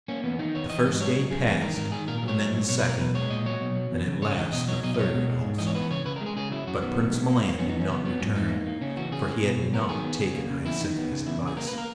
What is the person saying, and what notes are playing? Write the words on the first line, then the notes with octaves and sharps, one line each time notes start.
The first day passed, and then the second, and at last the third also, but Prince Milan did not return, for he had not taken Hyacinthia's advice.
A#3 C#4
E2 B3
D#3 D#4
B3 C#5
E3 D#5
G#2 D#5
F#3 C#5
C#3
G#3 G#4
E2 G#4
D#3 A#4
G#2 A#4
D#3 G#4
A#2 A#4
A#4
F#3 C#5
G#2
F#3
B2 C#5
B4
F#3 A#4
B2 B4
G#3 C#5
A#2 D#5
F#3 C#5
B2
F#3
E2
C#3
C#3 C#5
E3 D#5
B2 D#5
F#3 C#5
B2 D#5
D#5
G#3 C#5
B2
G#3
G#2
E3 D#5
C#5
B3 B4
C#3 C#5
C#3 B4
A#4
G#3
G#4
C#3 G#4
F#3 E4
F#2 F#4
D#3 B3
B2
G#3
A#3
A#3
B3 C#4
D#4
E3
C#4
C#3 B3
F#3 B3
G#2 C#4
E3 D#4
A#3
A#3
C#3 C#4
E3 F#4
C#3 G#4
G#3
B2
F#3
B3 A#4
D#3 G#4
B3
C#3
A#3
C#3
E2 E4
D#3 D#4
B3
C#3
E2 E4
C#3
G#4
A#3 A#4
B4
A#3
A#4